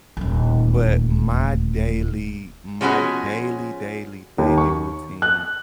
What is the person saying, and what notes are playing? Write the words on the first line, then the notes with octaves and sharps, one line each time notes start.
But my daily my daily, daily, daily routine
D#1 D2
F3 G#3 B3 C#4 F#4 G#4
D#2
C#6
F#6